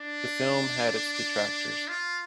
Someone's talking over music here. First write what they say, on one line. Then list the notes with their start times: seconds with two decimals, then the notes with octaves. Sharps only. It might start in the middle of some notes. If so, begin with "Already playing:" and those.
The film had its detractors.
Already playing: D4
1.88 F4